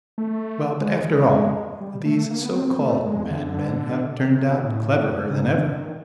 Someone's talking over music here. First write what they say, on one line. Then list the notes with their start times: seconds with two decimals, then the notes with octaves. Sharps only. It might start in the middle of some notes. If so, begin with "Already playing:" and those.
Well, but after all, these so-called madmen have turned out cleverer than ever.
0.18 A3
0.81 G#3
1.80 G3
2.05 A3
2.30 A#3
2.43 B3
2.56 C4
2.68 C4
2.80 A3
3.05 G#3
3.30 D3
4.30 C3
4.47 B2
4.63 A2
5.30 C#3
5.55 D3
5.80 D#3